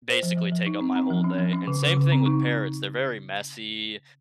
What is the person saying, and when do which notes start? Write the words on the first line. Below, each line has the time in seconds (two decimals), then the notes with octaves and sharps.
basically take up my whole day, and same thing with parrots, they're very messy,
0.08 C5
0.23 F3
0.37 F3
0.52 F3
0.66 D#4
0.81 C4
0.96 C4
1.10 F3
1.24 C#4
1.39 F3
1.53 C#4
1.67 C#3
1.83 C#3
1.97 C#3
2.12 C4
2.26 D#4